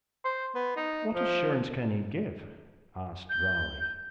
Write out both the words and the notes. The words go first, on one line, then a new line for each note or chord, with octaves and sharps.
"What assurance can he give?" asked Raleigh.
C5
B3
D#4
F3
G6